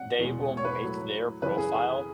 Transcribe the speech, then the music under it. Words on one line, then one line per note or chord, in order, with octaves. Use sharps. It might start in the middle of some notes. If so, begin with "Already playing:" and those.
they will make their profile
Already playing: F#5
E2 B2 G#3
C#5
B4
A2 F#3
F#2 C#3 E3 B4
G#4
G#4